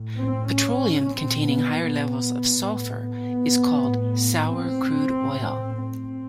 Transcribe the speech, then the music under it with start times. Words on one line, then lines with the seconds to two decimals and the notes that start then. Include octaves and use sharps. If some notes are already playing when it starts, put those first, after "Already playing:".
Petroleum containing higher levels of sulfur is called sour crude oil.
Already playing: A2
0.19 C4
0.52 C#4
1.17 A#2 C4
1.50 B3
1.84 B3
2.49 A2
3.15 B3
3.80 A2
4.46 C4
5.12 A2
5.78 C4